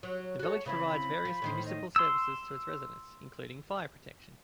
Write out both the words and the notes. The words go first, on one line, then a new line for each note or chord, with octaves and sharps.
The village provides various municipal services to its residents including fire protection.
F#3
F#4 A4 C#5
C#3 C4 E4 B5
F3
A2 D#3 C5
D#5
C6 E6